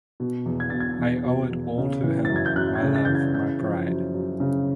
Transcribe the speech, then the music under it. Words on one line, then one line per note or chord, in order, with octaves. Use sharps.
I owe it all to him, my love, my pride!
B2
E2
G#6
B2 A6
G#6
E2
B2
E2
C#3
E3
F#2 A6
G#6
G6
F#2 F#6
G#6
C#3
A6
E3 G6
G#6
C#3 G6
F3
F#2
F#2
C#3